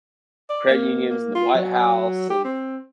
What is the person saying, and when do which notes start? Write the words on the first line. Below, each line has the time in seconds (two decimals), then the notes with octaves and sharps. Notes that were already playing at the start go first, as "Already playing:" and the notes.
credit unions and the White House, and
0.50 D5
0.70 A#3
1.10 A#3
1.35 F4
1.55 F#3
2.30 G4
2.44 C4